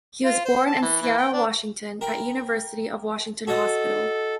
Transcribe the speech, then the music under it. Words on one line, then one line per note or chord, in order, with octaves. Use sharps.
He was born in Seattle, Washington, at University of Washington hospital.
F4
C5
A5
E3
E3
G5
D4
A#4 G5 B5
F#4 A4 C#5 D#5